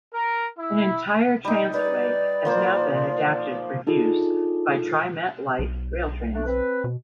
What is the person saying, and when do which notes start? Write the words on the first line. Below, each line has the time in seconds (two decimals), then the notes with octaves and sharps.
The entire transitway has now been adapted for use by TriMet light rail trains.
0.14 A#4
0.59 E4
1.45 G3 D#4
1.74 B4 D5
2.45 F3 A#3 C5
3.87 D4 D#4 F4 G#4 A4
5.59 B1
6.33 A3 D4
6.46 C4 B4
6.84 B2